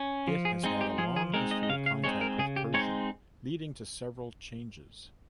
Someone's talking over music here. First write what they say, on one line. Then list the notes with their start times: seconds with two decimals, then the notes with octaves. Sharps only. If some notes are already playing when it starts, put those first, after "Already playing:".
It has had a long history of contact with Persian, leading to several changes.
Already playing: C#4
0.28 F3
0.45 G#4
0.63 G#3 C4 D#4
0.81 G4
0.98 F3 G#4
1.16 G#4
1.34 G#3 C4 D#4 A#4
1.51 D#5
1.63 D#5
1.69 C#3 F5
1.86 F5
2.04 G#3 C4 D#4 C#5
2.21 A#4
2.39 C#3 G#4
2.56 G4
2.74 G#3 C4 D#4 C#5